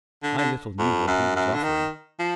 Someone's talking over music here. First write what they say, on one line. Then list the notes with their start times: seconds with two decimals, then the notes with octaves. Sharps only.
I little knew what he was offering.
0.23 D3
0.38 D3
0.79 F2
1.07 F#2
1.36 F#2
1.54 D3
1.63 D#3
2.19 F3